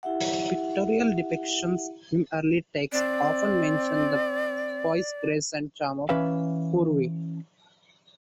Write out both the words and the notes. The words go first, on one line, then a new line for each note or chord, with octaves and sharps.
Pictorial depictions in early texts, often mention the poise, grace and charm of Poorvi.
E4 G4 E5 F#5
C4 D5
E3 C#4 B4 E5 F5